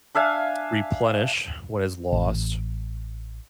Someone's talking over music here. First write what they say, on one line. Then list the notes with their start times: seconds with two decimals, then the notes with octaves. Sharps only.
replenish what is lost,
0.15 D4 E5 F5 G#5
2.12 A1